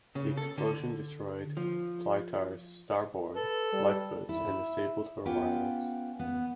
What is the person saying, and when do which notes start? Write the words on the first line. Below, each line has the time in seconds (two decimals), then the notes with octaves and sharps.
The explosion destroyed "Blitar"s starboard lifeboats and disabled her wireless.
0.15 C#3
0.37 A4
0.58 D3
1.57 F3
3.36 A4 B4
3.73 G3
4.29 E4
5.26 B3 C#4 F4 G4
6.19 B3